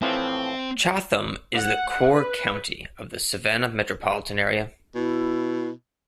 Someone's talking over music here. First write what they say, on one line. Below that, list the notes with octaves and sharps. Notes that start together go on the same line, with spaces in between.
Chatham is the core county of the Savannah metropolitan area.
A2 E3 F3 C4
F#5
B4
B2 E4